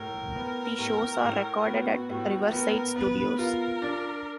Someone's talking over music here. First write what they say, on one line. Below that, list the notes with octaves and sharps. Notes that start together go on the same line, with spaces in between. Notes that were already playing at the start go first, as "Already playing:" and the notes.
The shows are recorded at Riverside Studios.
Already playing: A2 A#4
B3
A2
A2
B3 F#4
A2
B3 A#4
B3 B4
F4 A#4
D4